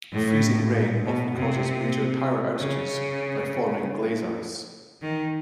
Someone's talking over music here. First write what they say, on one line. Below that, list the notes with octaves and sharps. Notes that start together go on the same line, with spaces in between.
Freezing rain often causes major power outages by forming glaze ice.
A2
A#2
B2
C3
C#3
D#3